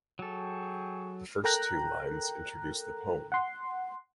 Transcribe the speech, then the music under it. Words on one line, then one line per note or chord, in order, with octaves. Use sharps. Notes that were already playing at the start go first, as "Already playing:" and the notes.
The first two lines introduce the poem.
F#3 G#4 A4 G5 C#6
A4 A#4 G5 A#5 F#6
F#5 C6